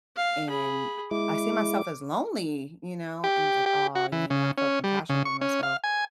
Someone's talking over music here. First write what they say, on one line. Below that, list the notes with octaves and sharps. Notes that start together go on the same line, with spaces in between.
And I see myself as lonely, you know? And I was like, "Aw," you know, I felt compassion for myself.
F5
G#4 B5
G#3 E4 D6
G4
G4
F#4
E3
C#3
C#4
G3
C#3
C#6
C#4
F5
G#5